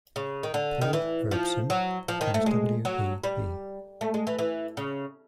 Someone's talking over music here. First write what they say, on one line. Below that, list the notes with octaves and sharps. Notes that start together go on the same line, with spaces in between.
Paul Robeson and W. E. B.
C#3
D#3
D3
D#3
E3
F3
F#3
F3
D#3
A3
G#3
F#3
G3
A3
G#3
E3
E3
C#3